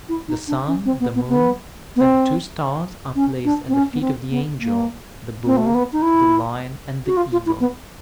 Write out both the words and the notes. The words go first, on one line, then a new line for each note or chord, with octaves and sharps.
The sun, the moon, and two stars, are placed at the feet of the Angel, the Bull, the Lion, and the Eagle.
E4
D#4
D4
C#4
C4
B3
B3
B3
B3
C4
C#4
D4
C4
C#4
B3
C4
B3
A#3
C4
A3
A#3
B3
D#4
E4
F#4
F4
F4
E4
B3